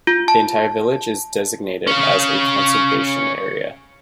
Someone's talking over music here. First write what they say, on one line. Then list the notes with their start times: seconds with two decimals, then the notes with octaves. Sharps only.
The entire village is designated as a conservation area.
0.07 F4
0.28 A5
1.87 C#4 F5